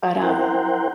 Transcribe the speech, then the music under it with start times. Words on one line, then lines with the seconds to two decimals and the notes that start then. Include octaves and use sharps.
but, um,
0.22 E4 A#4 C5 F#5 G5